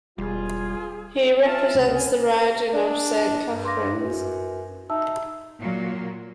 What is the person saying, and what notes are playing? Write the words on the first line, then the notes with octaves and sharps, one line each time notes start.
He represents the riding of Saint Catharines.
E1 G3 F4 G#4
F4 E5 A5
C#2 C3 C#4
G#5
D4 D5
G2
C6 D6 A#6
F#2 F#4 B4
D#4 E5 A5 E6
A#2 F#3 A#3